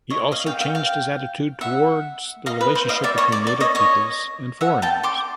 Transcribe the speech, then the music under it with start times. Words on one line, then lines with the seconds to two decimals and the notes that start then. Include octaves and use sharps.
He also changed his attitude towards the relationship between native peoples and foreigners.
0.10 C#5 D#5
0.32 D#5 F5
0.46 F5 G5
0.60 F5 G5
0.75 F5 G5
1.61 E5 F#5
2.46 D#5 F5
2.61 B4
2.75 C5
2.89 D#5 F5
3.04 D5 E5
3.18 C#5 D#5
3.32 D5
3.47 D5
3.60 C#5 D#5
3.75 C#5 D#5
4.61 E5 F#5
4.82 G5 A5
5.03 C6 D6